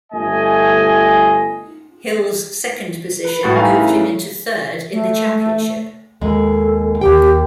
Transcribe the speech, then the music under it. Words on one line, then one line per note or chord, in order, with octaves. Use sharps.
Hill's second position moved him into third in the championship.
G1 A3 D#5 G#5
B4
A2 F#4 A6
A2 D#3 D#4 E5 F5 G#5
C#3
A3
D#2 G#3 A4
D#2 G4 G5